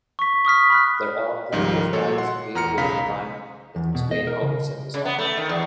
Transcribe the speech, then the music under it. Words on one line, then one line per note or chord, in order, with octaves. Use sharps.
There are plenty of guides available online that explain how to set this up.
C#6 B6
C#6 D#6 F6 B6
B5 F6 F#6
C#2 G#2 D#3 F3 G3
A#2 F#4 A4 C#5
F#5 C6
E2 A#5 F6 C#7
B1 C#3 F5 A#5 B5 B6
E2
B2
D#5
A#4
C#3
C#3
B3
A3
D#3
E2